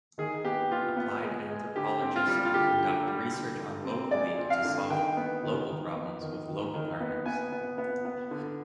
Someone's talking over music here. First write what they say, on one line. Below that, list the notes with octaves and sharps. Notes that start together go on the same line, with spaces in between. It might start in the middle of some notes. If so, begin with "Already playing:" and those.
Applied anthropologist conduct research on locally to solve local problems with local partners.
D#3 G#4
B3 G4
B3 F4
B3
G#3
G#3
D3 G4
C4
F4
G3
F4
D3 G4
D3
G3
D3
D3
C4
G#3 D5
C4
F5
D3
D#3 G5
B3
D#3
D#3
B3
D#3
D#3
D#3
B3
B3 G#5
B3
B3
B3
D3